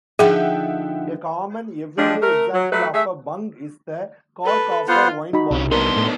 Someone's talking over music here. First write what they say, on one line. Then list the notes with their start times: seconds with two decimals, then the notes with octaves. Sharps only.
A common every-day example of a bung is the cork of a wine bottle.
0.19 D3 F3 D#4 G#4 E5 F#5 G5
1.98 F3 G3 G#3 D4
2.21 A3 A#4
2.53 F#3
2.72 F#3 A3 B4
2.94 A3 G#4 E5
4.44 A4 B4
4.88 B3 F4 C5 F#5
5.33 D#4 F#4 B5
5.51 C2 C3 C#4
5.72 B3 D4 D#4 A#4 C6
5.96 A2